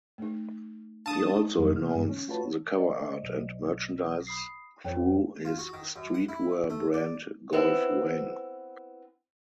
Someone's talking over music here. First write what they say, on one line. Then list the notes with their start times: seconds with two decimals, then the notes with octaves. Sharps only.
He also announced the cover art and merchandise through his streetwear brand Golf Wang.
0.18 A3 D#4
1.06 D4 F5 A5 D#6
1.58 F2 F#3 G3
1.72 C3 A#3 F6
1.94 G2 C#3 G#3
2.09 C#4
2.28 A3 F4 F#4 B4 C#5 A5
2.76 C5 D5 D#5
3.23 B1
4.27 B5 D#6 C7
4.85 F2 F3 C5 C#5 G5
5.45 F4
5.58 F#4
5.73 D#3
5.96 F#2
6.14 F#5
6.29 E4
6.70 A3
6.94 D5
7.53 B3 C4 E4